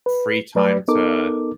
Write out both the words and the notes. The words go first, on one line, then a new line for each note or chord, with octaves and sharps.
free time to
B4
F#3 A3 B4 D5
B3 D#4 A4 A#4 D6